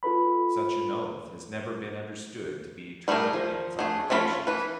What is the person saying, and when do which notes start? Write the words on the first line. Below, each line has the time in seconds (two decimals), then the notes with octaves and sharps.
Such an oath has never been understood to be eternal in its obligations.
0.03 F4 A4 B4 B5
3.08 G3 A3 E4 G#4 A#4
3.33 F3
3.79 A3 D4 G#4
4.10 A3 C#4 D4 F4 B5
4.47 E3 B4